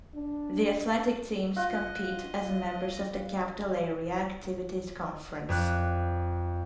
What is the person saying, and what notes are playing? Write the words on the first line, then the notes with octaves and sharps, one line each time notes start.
The athletic teams compete as members of the Capital Area Activities Conference.
D4
F4 D#5 F#5
F2 C4 D5 F#6